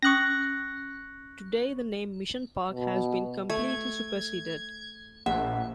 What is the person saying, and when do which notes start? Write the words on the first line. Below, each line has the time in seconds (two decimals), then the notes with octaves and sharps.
Today, the name Mission Park has been completely superseded.
0.03 C#4 C#6 D#6 F#6 A#6
2.71 B2
3.50 A3 G#6
5.26 A#1 E5 F#5